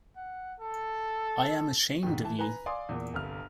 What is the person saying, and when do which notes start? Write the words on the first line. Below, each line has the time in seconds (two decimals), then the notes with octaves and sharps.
I am ashamed of you!
0.16 F#5
0.60 A4
2.03 D#2 G#2
2.21 E3 A5
2.39 B4 G#5 A#5
2.66 D5 F5 G#5 C6 D#6
2.89 E2 A#2
3.14 G1 C2 F6